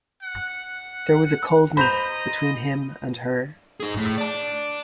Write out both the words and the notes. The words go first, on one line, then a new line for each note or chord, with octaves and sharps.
There was a coldness between him and her.
F#5
C5 D#5 A#5 B5 G6 F7
D#4 G#4
A2
D5 A5